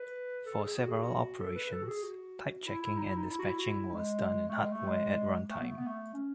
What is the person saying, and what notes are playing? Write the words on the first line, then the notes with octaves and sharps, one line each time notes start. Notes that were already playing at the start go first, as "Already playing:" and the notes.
For several operations, type checking and dispatching was done in hardware at runtime.
Already playing: B4
A4
G#4
F#4
G#4
F#4
A4
B4
A4
F#4
G#4
F#4
E4
E4
D#4
E4
D#4
E4
F#4
E4
F#4
E4
G#3
A3
G#3
A3
G#3
A3
B3
A3
B3
A3
C#4